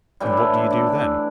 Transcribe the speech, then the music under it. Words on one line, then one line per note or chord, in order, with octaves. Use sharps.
"And what do you do then?"
A2 E3 G3 D4
E4
E4
D4
E4